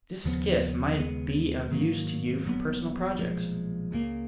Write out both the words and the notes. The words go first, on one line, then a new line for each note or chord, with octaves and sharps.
"This skiff might be of use to you for personal projects."
D#2 C#3 F3 B3
D#2 C#3 G#3 B3
G#2 D#3 F#3 A#3
A#1 A#2 F#3 B3
B1 A#2 F3 G#3
C#2 C#3 F3 A#3